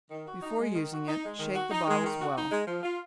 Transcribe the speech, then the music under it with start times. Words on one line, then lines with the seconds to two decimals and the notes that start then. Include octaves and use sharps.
Before using it, shake the bottles well.
0.11 D#3
0.27 F#4
0.43 D#4
0.59 G#3
0.76 D#3
0.92 F#4
1.08 D#4
1.24 G#3
1.40 D#3
1.55 F#4
1.71 D#4
1.87 G#3
2.03 D#3
2.19 F#4
2.36 D#4
2.52 G#3
2.68 F3
2.83 F4